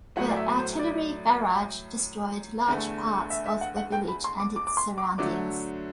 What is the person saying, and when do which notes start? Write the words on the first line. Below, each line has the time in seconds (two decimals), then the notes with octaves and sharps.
The artillery barrage destroyed large parts of the village and its surroundings.
0.16 A2 F#3 A3 F#5
0.29 D5
0.37 E5
0.58 C5
0.79 D5
2.68 E2 D3 A3
3.30 E5
3.46 E5
3.61 F#5
3.77 F#5
3.92 G5
4.08 B5
4.24 C6
4.40 D6
4.56 D6
4.67 D6
4.77 C6
4.98 D6
5.18 D3 F#3 A3 D6